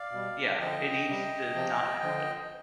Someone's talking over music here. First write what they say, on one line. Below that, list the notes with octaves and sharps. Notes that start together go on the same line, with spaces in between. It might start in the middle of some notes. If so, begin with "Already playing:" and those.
yeah, it needs to not happen.
Already playing: D5 F5
B2 G3
D3 F3 D#5 G5
C3 G3
C3 F3
D3 F3